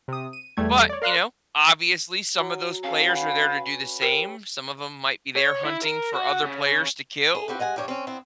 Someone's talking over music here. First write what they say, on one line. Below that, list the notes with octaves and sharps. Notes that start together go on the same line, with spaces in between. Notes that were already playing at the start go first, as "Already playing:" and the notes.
but, you know, obviously, some of those players are there to do the same. Some of 'em might be there hunting for other players to kill.
C3 D#6
D#7
E2 G3 A3 G#6
C#5 D5
A#4 D5 F5 C6 F6 F#6
F#3
C#4 A4 F5
B4 F#5 G#5
G4 A#4
C#5
E4
A#4
F#4
C#3
G#4
C4 F#4 G4 B4
G#3 D#5 F#5 G#5
G2 F3 G3 C#5
C4 C#4
B3 C4 E4